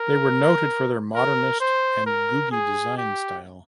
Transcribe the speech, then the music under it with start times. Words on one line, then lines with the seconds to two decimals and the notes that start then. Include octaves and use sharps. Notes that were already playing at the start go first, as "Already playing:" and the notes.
They were noted for their Modernist and Googie design style.
Already playing: A#4
1.15 A#4
1.60 C5
2.06 A#4
2.51 G#4
2.98 G4